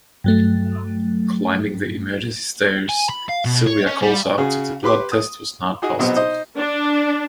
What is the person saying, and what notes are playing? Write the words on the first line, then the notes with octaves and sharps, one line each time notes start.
Climbing the emergency stairs, Silvia calls out that the blood test was not positive.
G2 F#3 A3
G#5
B5
F5
B2
C#5
C#4
G3
C#3 F#4 G#4
G4 B4 B5 C6 D6
D#6
D#4 F#4 G#4 D#5
A#1 B2 F#3 B3 C4 D#5
D#4 C5 D#5
D4